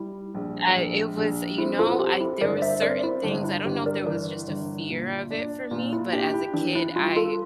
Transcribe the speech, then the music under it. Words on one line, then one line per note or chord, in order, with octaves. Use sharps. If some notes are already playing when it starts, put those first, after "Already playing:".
I it was you know, I there were certain things I don't know if there was just a fear of it, for me, but as a kid, I
Already playing: G3 E4
A#1
A#1
A#1
C4 E4
F4 A4
C4 G4
E4
G1 A#4 D5
C5 E5
C4 A#4 D5
E4
G1 D4
E4
G1 G4
A#4 D5
E3 A#4 D5
G1
A#2
D4
A#2 F4
E4
D4 G4
E4
E3 D4
E4
G3 F4
F4 A4